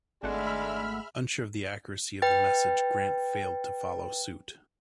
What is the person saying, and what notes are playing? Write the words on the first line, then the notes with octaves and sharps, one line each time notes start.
Unsure of the accuracy of the message, Grant failed to follow suit.
G#1 G#3 A3 D4 E5 F#5 B5 F6
B4 G5 A6